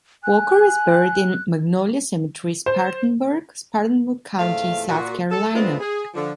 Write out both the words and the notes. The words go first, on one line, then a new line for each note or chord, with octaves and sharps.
Walker is buried in Magnolia Cemetery, Spartanburg, Spartanburg County, South Carolina.
G#5 F#6
C5
E2 A#2 A3 C4 F5
A#2 F#4
A4
G#3 A3 B3 C4 D4 F4
G#4
D3 F3